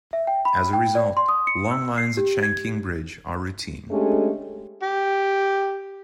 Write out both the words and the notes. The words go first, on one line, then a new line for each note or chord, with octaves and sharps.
As a result, long lines at Shangqing Bridge are routine.
E5
G5
B5
G5
D5
C6
D#6
C#7
E6
C7
G4
G#6
G#3 A3 C#4 D4 G4 A4
G4